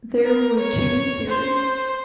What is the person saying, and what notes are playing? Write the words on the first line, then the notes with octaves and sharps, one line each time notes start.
There were two theories.
A#4
C#5
C5